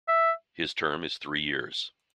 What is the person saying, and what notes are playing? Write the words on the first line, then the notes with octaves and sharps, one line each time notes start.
His term is three years.
E5